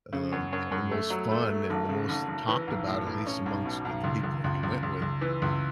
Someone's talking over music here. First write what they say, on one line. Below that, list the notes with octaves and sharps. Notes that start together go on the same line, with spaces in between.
um, and the most fun and the most talked about, at least amongst the the people that you went with,
C#3
F#2
F#2
F#2
A3
F#3
A3
A3
G#1
C#3
G#1
G#1
E3
B1
A2
A2
C#4
B1
B2
B1
C#2
C#2
C#2
C#2
C#2
C#2
E3
C#2